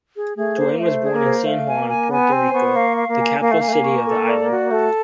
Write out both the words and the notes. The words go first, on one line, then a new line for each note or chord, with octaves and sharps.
Dwayne was born in San Juan, Puerto Rico the capital city of the island.
G#4
A3 G#4
A#3 C5
A3 C5
G#4
A#3
C5
A3 F5
G#5
A#3
G#5
B3 G#5
C4 C5
B3 C#6
A#3 F5
F5
A#3
G#5
A#3 F5
A3
A#3 G#5
A3
A#3
C#6
A4
D5
F#4
A3 A4